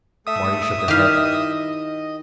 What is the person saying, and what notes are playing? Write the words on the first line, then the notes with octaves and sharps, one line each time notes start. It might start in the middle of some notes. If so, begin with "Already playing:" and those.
Marty shook her head.
A3 A4 E5 D#6
D#3 E4 G4 D#5 F5